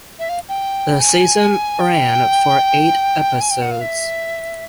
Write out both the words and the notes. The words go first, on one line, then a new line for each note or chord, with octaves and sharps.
The season ran for eight episodes.
E5
F5
G5
G#5
G5
G#5
G5
F#5
F5
E5